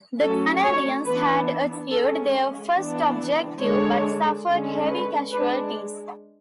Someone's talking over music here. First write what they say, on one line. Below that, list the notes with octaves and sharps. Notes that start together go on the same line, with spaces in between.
The Canadians had achieved their first objective, but suffered heavy casualties.
F#3 A3 C#4 A4
C#5
E3 B3 D4 B4
G#3 C#4 A4
E3 B3 D4
D3 G#3 D4 C#5
D3 G#3 C#4
B4
G#3 D4 B4